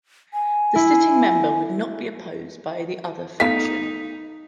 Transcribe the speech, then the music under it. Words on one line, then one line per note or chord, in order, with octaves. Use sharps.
The sitting member would not be opposed by the other faction.
G#5
E4
A3 B3 D#4 F5 B6